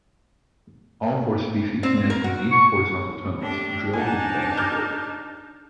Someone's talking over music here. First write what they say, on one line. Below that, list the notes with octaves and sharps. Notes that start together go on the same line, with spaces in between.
All four species nest in deep horizontal tunnels drilled into banks of earth.
C4
A#4
F#4
C#6
A3 D4 G4
D4 D#4 F#5 G#5 A5
D6 F6 G6